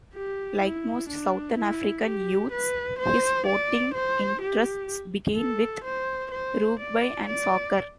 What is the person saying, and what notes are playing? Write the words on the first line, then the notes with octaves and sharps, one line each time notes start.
Like most Southern African youths, his sporting interests began with rugby and soccer.
G4
E4
D4
E4
G4
B4
C5
D5
C5
G4
A4
C5
C5
D5
D5